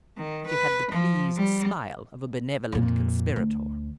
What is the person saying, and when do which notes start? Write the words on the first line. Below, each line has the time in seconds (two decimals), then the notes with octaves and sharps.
She had the pleased smile of a benevolent conspirator.
0.17 D#3
0.47 B4
0.91 F3
1.37 G3
2.72 F2 A#2
3.36 D2